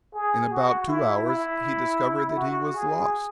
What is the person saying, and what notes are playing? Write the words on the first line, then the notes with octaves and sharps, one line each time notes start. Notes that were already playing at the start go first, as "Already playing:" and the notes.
In about two hours he discovered that he was lost.
G#4
F#4
E4
E4
F#4
G#4